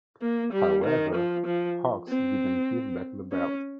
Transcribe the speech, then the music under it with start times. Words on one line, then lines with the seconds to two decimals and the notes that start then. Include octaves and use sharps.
However, Hawx didn't give back the belt.
0.22 A#3
0.53 G3
0.84 D#3
1.15 F3
1.46 F3
2.08 C4
3.32 C#4